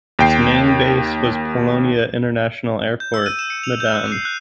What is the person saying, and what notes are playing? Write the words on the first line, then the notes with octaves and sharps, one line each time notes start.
Its main base was Polonia International Airport, Medan.
D#2 G5 C7
G6
E6
D#7
E7
C#7
F7
G6
F#6
C7
F#6